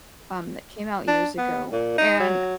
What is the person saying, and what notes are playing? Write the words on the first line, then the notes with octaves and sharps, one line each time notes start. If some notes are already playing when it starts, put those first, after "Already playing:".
um, that came out years ago, and,
D4
B3
A#2
D#4
F#3